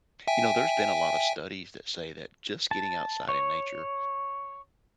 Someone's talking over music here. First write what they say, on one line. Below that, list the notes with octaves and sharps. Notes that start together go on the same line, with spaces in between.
You know, there's been a lot of studies that say that just getting outside in nature
E5 G5 G#5
A5
C#5